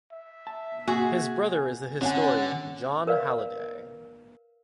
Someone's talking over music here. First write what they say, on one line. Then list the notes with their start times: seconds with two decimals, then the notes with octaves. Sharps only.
His brother is the historian Jon Halliday.
0.12 E5
0.47 A5
0.88 C3 A#3 C4 F#4 G#4
2.01 D3 C4 C#4 C#5 F#5 G#5
3.07 A#4 B4 D5 F5